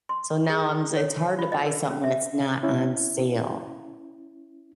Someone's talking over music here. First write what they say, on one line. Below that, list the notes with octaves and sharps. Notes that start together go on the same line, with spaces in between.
"So now I'm" It's hard to buy something when it's not on sale.
C6
G#4
C#5
F4
D#5
A#4
C#4
E5
C#4 E4